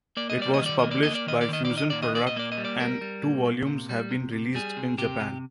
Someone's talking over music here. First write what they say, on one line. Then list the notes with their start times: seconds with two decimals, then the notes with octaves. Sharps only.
It was published by Fusion Product and two volumes have been released in Japan.
0.17 A#3 D5
0.30 D#5
0.39 G3 D5
0.54 D#5
0.61 D#3 D5
0.79 A#3 D#5
0.91 D5
1.03 A#3 D#5
1.15 D5
1.26 D#3 D#5
1.41 D5
1.48 D#3 D#5
1.65 D5
1.70 D#3
1.78 D#5
1.90 A#2 D5
2.03 D#5
2.14 A#2 D5
2.27 D#5
2.36 A#3 D5
2.52 D#5
2.58 G3
2.65 D5
2.80 G3 A#4
3.01 G3
3.23 A#2
3.45 A#2
3.67 C3
3.89 G3
4.11 C3
4.32 C3
4.55 G3 G#4
4.77 C3
4.98 C3 G4
5.20 C3